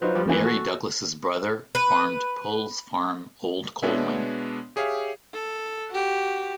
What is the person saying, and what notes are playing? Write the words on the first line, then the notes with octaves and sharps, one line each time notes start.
Mary Douglas's brother farmed Peulws farm old Colwyn.
F#3 D#4 F4 B4 C5
F3 G3
F2 E3 F3 A#3 B4
F#4 A4 C#6
B4
B2 G#3 B3 D4 C#5 E5
G4 G#4 C#5 E5 F5
A4
F#4 G4